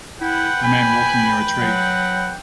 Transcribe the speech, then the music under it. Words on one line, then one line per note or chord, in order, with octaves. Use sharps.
A man walking near a tree.
E4 B4 F#5 G5
G#5 B5
F#3 F#5